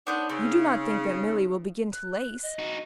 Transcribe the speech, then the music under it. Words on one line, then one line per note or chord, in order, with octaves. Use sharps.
"You do not think that Milly will begin to lace?"
B3 D4 D#4 C5 C#5
C#3 C4
F#6
D#5
D#4 F#4